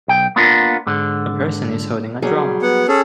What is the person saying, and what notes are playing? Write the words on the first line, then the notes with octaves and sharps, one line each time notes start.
A person is holding a drum.
B1 G5
A#3 B3 D4 F4 A#4
G#2 D3
F#3 G3 G#4
B3 F#5
C#4 G#4 A4